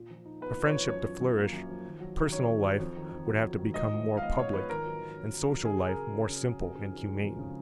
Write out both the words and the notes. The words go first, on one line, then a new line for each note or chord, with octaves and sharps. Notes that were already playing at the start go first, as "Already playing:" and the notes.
For friendship to flourish personal life would have to become more public and social life more simple and humane.
Already playing: A#2
F3
D#4
B3 B4
A#2
C#5
F3
F#2 C#5
F3
F#2
A#3
F#2
F3
D#3
F#3
D#3
C#4 C#5
D#3
F#3
F2
D#3
F2
F#3
F2
D#3
G#2 D#5
F3
G#2
F5
B3 D#5
G#2 C#5
F3 B4
D#3 A#4
F#3
D#3
C#4
D#3
F#3
C#3 G#4
F#3
A#4
C#3
C#4
C#3
F#3
F2
C#3
D#4
G#3
F2
C#3